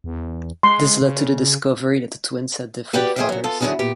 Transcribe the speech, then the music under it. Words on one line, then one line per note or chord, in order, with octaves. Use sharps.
This led to the discovery that the twins had different fathers.
E2
G#3 C6
C#3
F#4 G4 B4 D5 F#5 G5
G#4 C5 D5 E5 F5 G5
F#3 F#4
B3 F4 A4
D3 D#3 F#3 D4 E4 G#4
A#2 B3 G4